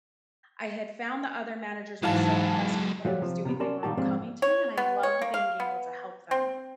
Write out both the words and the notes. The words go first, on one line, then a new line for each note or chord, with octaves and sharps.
I had found the other managers were so impressed with what I was doing, they were all coming to me and I loved being able to help them,
G#2 E3 F#3 G#3 F5 A5
F3 F#3 A3 G4
C3 F3
C3 B3
C#4 F#4 A#4 D5 A5 C6
A#2 D#3 G3 G4 A5
G#2 F3 G#3 C4 D4 C5
C#5
B3
C#5
A#3
F5
B3
C4